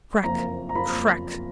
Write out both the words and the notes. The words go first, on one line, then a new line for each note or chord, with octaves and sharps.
Crack! Crack!
F#1 F2 F3 A#3 F4 A#5
A#5
F#1 F2 F3 A#3 F4 B5